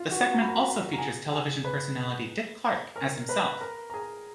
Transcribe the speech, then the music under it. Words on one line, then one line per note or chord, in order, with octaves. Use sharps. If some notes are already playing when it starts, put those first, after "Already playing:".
The segment also features television personality Dick Clark as himself.
Already playing: F4 F5
F#4 F#5
A#5
B5
A#4 A#5
A#5
G#4 G#5
G#4 G#5
B4 B5
A#4 A#5
B4 B5
A#4 A#5
A#5
G#4 G#5